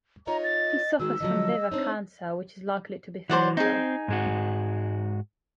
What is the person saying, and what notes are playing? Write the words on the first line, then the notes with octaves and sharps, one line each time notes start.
He suffers from liver cancer which is likely to be fatal.
D#4 F4 C#5 D#5 A#5
A6
D#3 G#3 F#4 E6
D3 F3 F#3 D#5
C4 D4 D#4 C#5
E3 F#3 C5 D5 F#5
C4 D#4 G#4
G#2 G#3 F#4